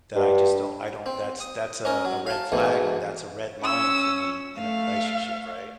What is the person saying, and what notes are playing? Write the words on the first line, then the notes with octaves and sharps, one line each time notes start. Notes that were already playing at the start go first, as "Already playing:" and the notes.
that I, just, don't I don't that's that's a a red flag or that's a red line for me in a relationship, right?"
G2
C4
D#6
C#4 A#4
F#3
F5 A5
G#2 B2 E3 A3
C#4 E6
A3 F5